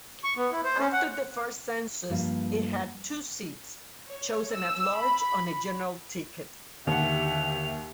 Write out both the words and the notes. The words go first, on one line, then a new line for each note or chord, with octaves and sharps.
After the first census, it had two seats, chosen at-large on a general ticket.
C#6
B3
E4
C5
C#4
F#5
G2 F3 G3 A#3 E5
C#5
E6
B5
D#2 D3 G4 E5 F#5 F7